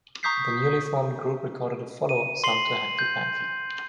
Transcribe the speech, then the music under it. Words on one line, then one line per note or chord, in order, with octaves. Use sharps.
The newly formed group recorded a follow-up song to "Hanky Panky".
A#5 C#6 D#6 G6 B6 C7
D#7
C6 C7 F#7
G6